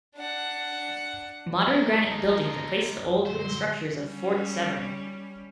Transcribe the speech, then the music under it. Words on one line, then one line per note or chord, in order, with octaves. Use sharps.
Modern granite buildings replaced the old wooden structures of Fort Severn.
D4 F#5
D3 G#3 A#3 D#4 A4 D#5 F5 A#5
F#2
A#2 D3 C5
G3 C#4